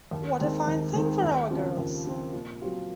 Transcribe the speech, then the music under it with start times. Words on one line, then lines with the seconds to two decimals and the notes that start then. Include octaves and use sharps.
What a fine thing for our girls!
0.11 D#2
0.39 D#3 G#3 C4 D#4
0.67 D#2
0.94 D#3 G#3 C4 D#4
1.22 D#2
1.50 C#3 F3 C4
1.77 D#2
2.06 C#3 F3 C4
2.33 A#2
2.62 F#3 C4 F4